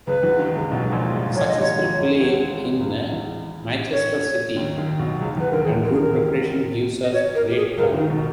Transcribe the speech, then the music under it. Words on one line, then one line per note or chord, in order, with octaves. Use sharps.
The successful play in “””Manchester city””, and good preparation gives us great hope.
C#2 C#3 B4
E2 E3
D#2 D#3
C#2 C#3
B1 B2
G#2
A#1 A#2
G2
A#1 A#2 C#5
D#5
G#1 G#2
C#5
D#2 D#3
C#2 C#3
E2 E3
D#2 D#3
C#2 C#3
E2 E3
C#5
D#2 D#3
D#2 D#3
B1 B2
C#2 C#3
E2 E3
B4
D#2 D#3 A#4
G#4
E2 E3
D#2 D#3 A#4
G#4
C#2 C#3 A#4
D#2 D#3
D#2 D#3
D#5
C#5
A#4
G4
G#4
C#2 C#3 A#4
D#2 D#3
D#4
B2